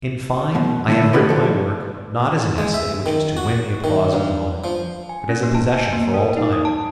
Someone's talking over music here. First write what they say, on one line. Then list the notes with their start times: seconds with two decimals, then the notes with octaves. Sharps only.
In fine, I have written my work, not as an essay which is to win the applause of the moment, but as a possession for all time.
0.55 F#2 B2
0.88 D3 A3 E4
1.13 F#4 G4 B4 D5 D#5
1.29 B1 F3 A4
2.58 G#3
2.74 E5
3.06 D#3
3.37 F#4
3.84 D#3
4.13 G2
4.64 F3
5.09 G#5
5.29 C#4
5.43 A#3
5.55 A5
5.72 G#5
5.93 A#3
6.14 A#4
6.37 D#4
6.52 D#6
6.65 A5